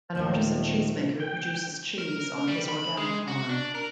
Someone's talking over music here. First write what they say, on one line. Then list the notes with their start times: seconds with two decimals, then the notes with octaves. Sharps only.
An artisan cheesemaker produces cheese on his organic farm.
0.15 D#2 A#2 D#3 F3 A3 A#4
1.20 G5
1.99 A#4
2.47 G3
2.68 B5
2.97 G#3
3.28 F#4
3.49 D4
3.75 A#4